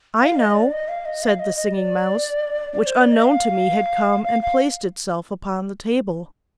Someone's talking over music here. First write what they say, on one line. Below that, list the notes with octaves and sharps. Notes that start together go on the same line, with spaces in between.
"I know," said the Singing Mouse, which unknown to me had come and placed itself upon the table.
F5
D#5
D5
D#5
F5
D#5
F5
D#5
D#5
D5
D5
C5
D5
D#5
F5
F5
F5